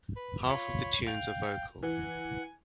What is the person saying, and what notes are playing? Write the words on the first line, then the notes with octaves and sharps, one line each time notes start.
Half of the tunes are vocal.
B4
F4 C#5 B5
F5 G5 F7
E3 F#5 G#5